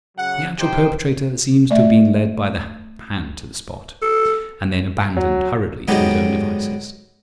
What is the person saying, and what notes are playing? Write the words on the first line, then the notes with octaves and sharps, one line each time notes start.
The actual perpetrator seems to have been led by the hand to the spot, and then abandoned hurriedly to his own devices.
C#3 F#3 F#5
D#4 G4 C5 G5
A3 D5 E5
A4
F#3
G#2 D3 F#3 B3 D#4 G4